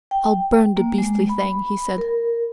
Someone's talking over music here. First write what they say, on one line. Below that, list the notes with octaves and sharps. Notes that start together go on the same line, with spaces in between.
"I'll burn the beastly thing," he said.
G5
A#3
G#3
B5
A#4